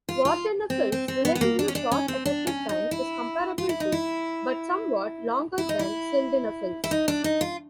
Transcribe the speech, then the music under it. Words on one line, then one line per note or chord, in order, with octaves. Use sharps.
Vardenafil's relatively short effective time is comparable to but somewhat longer than sildenafil's.
F4
F4
C4
C4
C4
B3
B3
A#3
D4
C#4
D4
C#4
C4
D4
C#4
D#4
E4
F4
E4
D#4
E4
E4
D#4
E4
E4
D#4
D4
D#4
F4